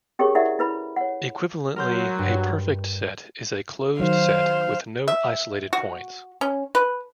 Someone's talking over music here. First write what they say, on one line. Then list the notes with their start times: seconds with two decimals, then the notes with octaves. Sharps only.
Equivalently, a perfect set is a closed set with no isolated points.
0.19 C#4 G4 G#4 A#4 C#5 C#6
0.35 D4 E4 A#4 D5 E5 F#5
0.59 E4 B4 B5
0.96 C#5 F#5
1.76 F#3 A#4 C6 G6
2.19 G2
4.00 D#3 F#3 C5 F5
5.08 E5
5.73 F#4
6.41 C#4
6.75 B4